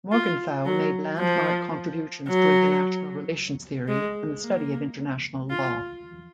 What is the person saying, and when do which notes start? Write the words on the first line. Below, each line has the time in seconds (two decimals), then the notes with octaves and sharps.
Morgenthau made landmark contributions to international relations theory and the study of international law.
0.12 F4
0.66 F#3
1.20 F3
2.28 F#3
3.88 G#3
4.43 A#3
5.50 F4